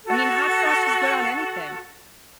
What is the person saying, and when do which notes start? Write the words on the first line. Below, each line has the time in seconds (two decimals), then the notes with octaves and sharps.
I mean, hot sauce is good on anything.
0.06 F#4 A4